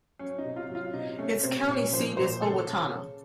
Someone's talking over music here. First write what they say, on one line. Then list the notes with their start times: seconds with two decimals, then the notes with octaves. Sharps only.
Its county seat is Owatonna.
0.19 F#3 C#4
0.38 D#4
0.44 C3
0.56 F4
0.69 F#3
0.75 F4
0.93 C3 D#4
1.19 A3 C#4
1.43 C3 C4
1.68 A#2 C#4
1.92 F3 C5
2.17 A#2 C5
2.42 C#3 A4
2.67 C#3
2.92 C#3